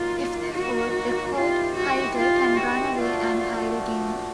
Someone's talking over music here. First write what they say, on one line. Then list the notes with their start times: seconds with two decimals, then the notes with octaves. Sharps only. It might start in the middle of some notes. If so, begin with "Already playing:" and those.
If they fall, the "caught" hider can run away and hide again.
Already playing: D#3 F#3 A#3 F4
0.53 F#4
1.34 D#3 G3 C4 E4 F4 G4
1.75 F#4
2.17 F4
2.57 F#4
2.98 A#2 F3 A3 D4 F4 F#4